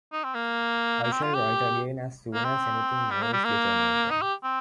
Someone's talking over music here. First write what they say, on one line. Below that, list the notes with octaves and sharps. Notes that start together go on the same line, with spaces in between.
I shall write again as soon as anything more is determined on.
D#4
C4
A#3
A#3
C4
F4
G4
A#3
C4
G3
A#3
G3
A#3
D#4
G4
C4